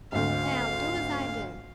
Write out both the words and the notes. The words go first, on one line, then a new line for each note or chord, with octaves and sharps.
Now, do as I do.
G#1 D2 F5